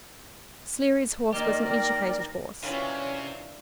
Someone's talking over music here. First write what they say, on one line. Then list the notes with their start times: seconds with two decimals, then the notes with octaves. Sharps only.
Sleary's horse was an educated horse.
1.33 D#3 A#3 G4 A#4 D5 D#5
1.65 G5 A#6
2.63 C3 E3 F#3 C#4 D4 E4 F4 C#5